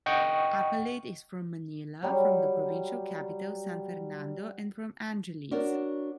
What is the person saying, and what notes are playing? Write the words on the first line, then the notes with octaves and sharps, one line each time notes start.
Apalit is from Manila, from the provincial capital, San Fernando, and from Angeles.
D#5 F#5 G5 C#6
F#3 G3
D4 F#4 A#4 C#5 D5